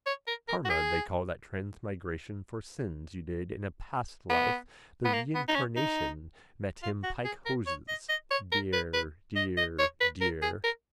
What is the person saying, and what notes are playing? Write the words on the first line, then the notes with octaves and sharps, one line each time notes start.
Karma they call that transmigration for sins you did in a past life the reincarnation met him pike hoses. Dear, dear, dear.
C#5
A#4
A#4
F#4
G#4
B3
B3
A#3
B3
D#4
C#4
D#4
F4
F#4
G#4
A#4
C#5
D#5
D#5
C#5
A#4
B4
B4
D#5
D#5
C#5
B4
A#4
G#4
A#4